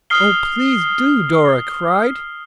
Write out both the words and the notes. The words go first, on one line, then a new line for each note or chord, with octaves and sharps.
"Oh, please do," Dora cried.
D#6 F6 C7 G7